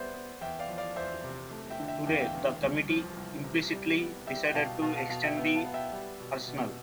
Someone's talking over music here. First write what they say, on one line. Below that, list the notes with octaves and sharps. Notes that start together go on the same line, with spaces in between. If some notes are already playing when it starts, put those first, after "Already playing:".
Today the committee implicitly decided to extend the arsenal.
Already playing: G3 B3 B4 C5 D5 E5
B3
E2 E5 G5
D5 F5
F3
D5 F5
E2 C5 E5
C3
A3
E5 G5
D3
E5 G5
E2 G5
F5
E5 G5
E2
C2
F3
C2
C3
G3
B3
G3 E5 G5
G5
B2 F5 A5
B2 F5 A5
F5 A5
B2 F5 A5
E5 G5
B3 E5 G5
F5 A5
B3
E5 G5
G3
B2
B2